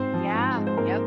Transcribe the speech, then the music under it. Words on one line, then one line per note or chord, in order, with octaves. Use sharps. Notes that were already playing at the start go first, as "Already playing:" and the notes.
Yeah, yep.
Already playing: G#2 C4 C5
F3
G#2
G#3
C5
G#2 A#3 A#4